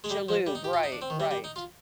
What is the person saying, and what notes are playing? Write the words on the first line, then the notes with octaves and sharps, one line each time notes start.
Shalhoub, right, right.
G#3
G3
F3
G3
D#4
G4
F4
D#4
D4
C4
D#3
G3
G3
D#4
F4